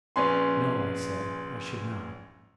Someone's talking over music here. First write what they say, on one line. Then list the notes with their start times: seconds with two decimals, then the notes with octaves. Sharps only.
No, I said, I should not.
0.16 A#1 C#4 B4 G#5 C6